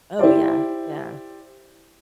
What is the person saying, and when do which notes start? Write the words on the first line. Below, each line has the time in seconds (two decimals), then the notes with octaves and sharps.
Oh, yeah. Yeah.
0.19 E4 G4 C5 D5